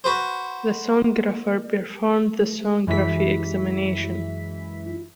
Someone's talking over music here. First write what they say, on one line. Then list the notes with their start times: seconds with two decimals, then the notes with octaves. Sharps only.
The Sonographer performed the Sonography examination.
0.04 F#4 B4 C5
2.87 F#2 E3 G#3 E4 B6